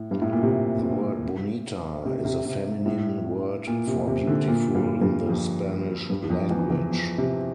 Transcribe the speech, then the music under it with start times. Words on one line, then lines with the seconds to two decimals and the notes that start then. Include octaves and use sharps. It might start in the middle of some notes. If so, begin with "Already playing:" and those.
The word "Bonita" is a feminine word for "beautiful" in the Spanish language.
Already playing: A2
0.11 G2
0.22 A2
0.32 A#2
0.43 C3
2.05 C3
2.25 C3
2.46 C3
2.86 A2
3.67 A#2
3.87 C3
4.07 C3
4.27 D3
4.48 A#2
4.75 G2
5.01 G2
5.29 F2
6.10 G2
6.30 F2
6.51 E2
6.70 E2
6.91 F2
7.18 C3